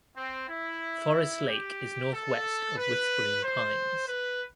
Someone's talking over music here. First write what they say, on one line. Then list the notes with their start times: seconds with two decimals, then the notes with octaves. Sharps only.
Forest Lake is northwest of Whispering Pines.
0.17 C4
0.49 E4
1.47 G4
2.12 A4
2.77 B4
3.43 C5
4.08 B4